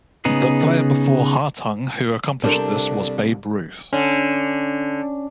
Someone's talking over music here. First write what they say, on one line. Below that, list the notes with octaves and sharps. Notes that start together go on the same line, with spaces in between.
The player before Hartung who accomplished this was Babe Ruth.
C#3 B3 D#4 G#4
C3 G3 D4 A4 A#4 C5
D3 C#4